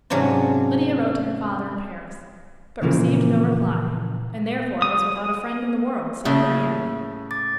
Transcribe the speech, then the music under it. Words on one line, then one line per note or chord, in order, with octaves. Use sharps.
Lydia wrote to her father in Paris, but received no reply, and therefore was without a friend in the world save Diana.
G#2 C3 F#3 C#4 D4 F4
A#2 C#3 E3 F3 A#3
D#6
A2 C#3 A#3 E5 E6
D6 A6